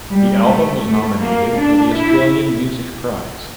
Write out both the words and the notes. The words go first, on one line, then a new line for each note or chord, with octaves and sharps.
The album was nominated for the Australian Music Prize.
G3
A3
A3
A#3
D4
E4